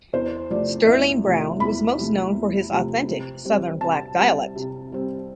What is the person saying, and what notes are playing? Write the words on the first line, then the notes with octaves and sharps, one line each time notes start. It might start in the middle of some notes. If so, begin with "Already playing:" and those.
Sterling Brown was most known for his authentic southern black dialect.
E2 C5
C3 F3 A3 D5
E2 E5
C3 F3 A3
E2 B5
C3 F3 A3
E2
C3 F3 A3
C3
G3 C4
C3 A5
G3 C4
C3
G3 C4